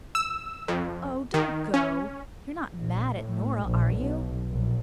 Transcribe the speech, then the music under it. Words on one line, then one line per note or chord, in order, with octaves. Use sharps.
"Oh, don't go; you're not mad at Nora, are you?"
E6
F2
D#3
C#4
A#1
A2
A#1
B1
A#1